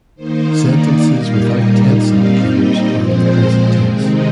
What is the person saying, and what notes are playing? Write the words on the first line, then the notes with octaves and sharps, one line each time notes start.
Sentences without tense indicators are in the present tense.
D#3 A#3 D#4 C5
D5
A#2 G3 A#3 D#4 F5
D#5
A#2 G3 C4 D#4 F5
D#5
A#2 F3 G#3 C4 C5
C3 D#3 G#3 C4 D#4